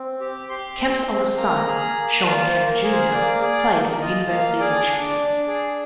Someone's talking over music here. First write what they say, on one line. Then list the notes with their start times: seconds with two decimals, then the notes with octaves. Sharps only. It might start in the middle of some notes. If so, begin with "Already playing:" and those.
Kemp's oldest son, Shawn Kemp Junior played for the University of Washington.
Already playing: C4
0.20 G4
0.49 G4 C6
0.78 C4
1.08 C4
1.37 A#3 A#5
1.66 G#4
1.96 A#3
2.25 F4 D5
2.47 C5
2.55 A#3
2.68 A#4
2.83 G#4
2.91 C5
3.13 A#3 D5
3.42 G#4
3.71 A#3
4.01 F4 D#5
4.30 A#3 F5
4.59 G#4 D5
4.88 D4 D5
5.18 D4
5.47 G#4